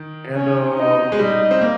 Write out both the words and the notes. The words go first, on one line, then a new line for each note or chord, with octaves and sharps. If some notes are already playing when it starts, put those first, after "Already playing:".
and, um,
Already playing: D#3
C#4
D#4
G#3
G3 D#4
C4
A#3